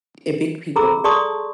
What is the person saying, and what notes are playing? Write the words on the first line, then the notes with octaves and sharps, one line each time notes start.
evict people w
G#4 A4 A#5 B5 D6 E6
G#4 D5 A5 C6 C#6 D#6